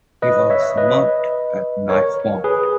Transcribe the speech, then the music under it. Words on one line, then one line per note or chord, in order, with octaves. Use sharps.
He was mugged at knifepoint.
B4 D#5
C#5 E5
B4 D#5
A#4 C#5
G#4 B4